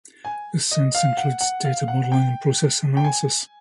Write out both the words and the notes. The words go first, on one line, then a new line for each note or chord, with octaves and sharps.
This sense includes data modeling and process analysis.
G#5
D#5
F5
F#5
F#5
F5
F#5
F#5
G5
G5
G#5